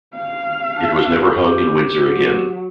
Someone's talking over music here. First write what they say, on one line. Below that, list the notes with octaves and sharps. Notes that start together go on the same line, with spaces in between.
It was never hung in Windsor again.
F5
D4
G4
F#3